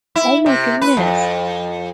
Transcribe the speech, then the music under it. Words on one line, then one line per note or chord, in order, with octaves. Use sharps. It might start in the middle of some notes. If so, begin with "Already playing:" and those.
Oh, my goodness.
E4
C3
B4
F2